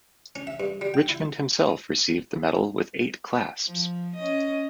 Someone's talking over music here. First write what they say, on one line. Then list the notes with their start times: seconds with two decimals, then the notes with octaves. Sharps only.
Richmond himself received the medal with eight clasps.
0.36 C#4
0.47 E5
0.60 G2
0.81 G3
0.94 G5
1.09 E4
3.67 F3
4.16 C#4 D#5